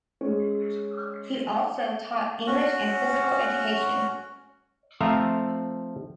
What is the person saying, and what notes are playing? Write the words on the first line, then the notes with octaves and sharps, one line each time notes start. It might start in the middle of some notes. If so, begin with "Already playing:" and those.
He also taught English and physical education.
G#3 C#4
C#4 F#4
F3 A3 C4 F4 E5 A#5